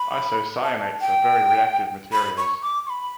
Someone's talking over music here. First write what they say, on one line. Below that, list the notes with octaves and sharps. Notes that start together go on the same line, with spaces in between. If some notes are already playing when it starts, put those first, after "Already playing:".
Isocyanates are very reactive materials.
Already playing: B5
A5
G5
B5
C#6
D6
C#6
B5